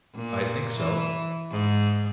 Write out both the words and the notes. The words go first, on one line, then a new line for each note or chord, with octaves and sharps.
I think so.
A#2
E3
G#2